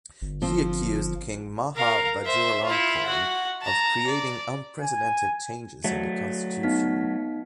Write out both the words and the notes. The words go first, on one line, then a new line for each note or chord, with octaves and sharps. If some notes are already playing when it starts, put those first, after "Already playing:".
He accused King Maha Vajiralongkorn of creating unprecedented changes in the constitution.
G1
F3 C4
A#4 F5
C5 E5
E4 F4
F#4 F#5
A5 A#5
D5
G#5
F#3 A3
B3 D#4 B6